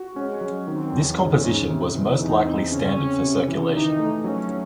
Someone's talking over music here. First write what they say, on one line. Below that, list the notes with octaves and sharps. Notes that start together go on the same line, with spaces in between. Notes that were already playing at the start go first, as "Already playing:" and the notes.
This composition was most likely standard for circulation.
Already playing: F#4
G#3 C#4
F#3
D#3 C4
E2
G#2 C#4
G#2
C3
E3
E2 D#4
C4
C#3 C#4
C4
C3
E3
D#3 D#4
A3
F#3 C#4
F#3